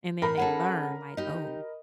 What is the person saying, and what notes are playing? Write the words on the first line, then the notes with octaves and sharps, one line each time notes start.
and then they learn, like, "Oh"
A2 A#4 B5
C#4 G#4 A4 F#5
D#4 G4 D#5